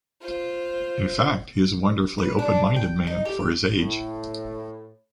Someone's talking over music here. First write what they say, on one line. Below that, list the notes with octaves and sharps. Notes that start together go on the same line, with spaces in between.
In fact, he is a wonderfully open-minded man for his age.
F4 C5
B4
D4
G#4
G5
D#4
G4
A2